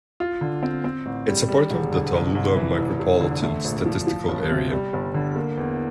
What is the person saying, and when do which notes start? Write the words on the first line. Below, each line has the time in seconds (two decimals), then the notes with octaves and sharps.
It is part of the Tallulah Micropolitan Statistical Area.
0.20 F4
0.41 D3
0.63 C4
0.84 C4
1.06 A1
1.28 G3
1.49 G3
1.71 E1
1.92 D3
2.14 C2
2.35 C2
2.56 E3
2.78 F1
3.00 F1
3.21 D3
3.42 A3
3.64 A#1
3.85 F3
4.07 F3
4.28 G1
4.50 C3
4.72 G3
4.93 G1
5.14 D3
5.36 A#3
5.58 E2